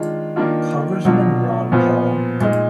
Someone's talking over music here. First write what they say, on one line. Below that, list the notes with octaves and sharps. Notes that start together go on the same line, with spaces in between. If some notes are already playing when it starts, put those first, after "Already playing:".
Congressman Ron Paul.
Already playing: D#3 G#3 D4 F4
D#3 A#3 D4 F4
B2 F#3 D4 F4
A#2 F3 B3 F4
A#2 G#3 D#4